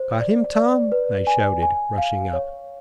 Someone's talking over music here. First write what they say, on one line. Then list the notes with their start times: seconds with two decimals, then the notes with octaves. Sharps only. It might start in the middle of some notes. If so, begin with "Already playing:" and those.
"Got him, Tom?" I shouted, rushing up.
Already playing: C5
0.20 D5
0.55 D5
0.92 B4
1.27 G#5
1.63 G#5
1.98 F5
2.33 C#5